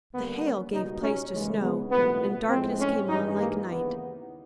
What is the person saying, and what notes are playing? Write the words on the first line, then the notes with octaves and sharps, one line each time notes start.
The hail gave place to snow, and darkness came on like night.
D#2 D3 G3 A#3 B3
C#4
C#2 B2 G3 D#4
C#4
D#2 C#3 E3 G#3
B3
C2 A#2 F3 A3 B3
A2 F3 G#3 C4
C#4
G2 E3 G#3 D#4
A#3
D#2 C#3 E3 B3